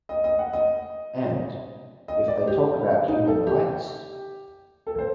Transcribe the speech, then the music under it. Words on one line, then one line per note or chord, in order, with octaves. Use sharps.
And, if they talk about human rights?
D#5
D#5
F#5
D#5
D#5
D5
G4
D#4
A4
G4
A4
C5